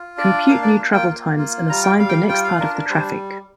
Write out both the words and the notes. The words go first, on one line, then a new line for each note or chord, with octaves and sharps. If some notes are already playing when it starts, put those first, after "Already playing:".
Compute new travel times and assign the next part of the traffic.
Already playing: F4
D4 D5
A#3 F5
D5
F4
G5
A#3
F4
G3 A#5
G5
G3 F5
G5
F5
F4 G5
F5
D4 A#4
A#4
G3 C5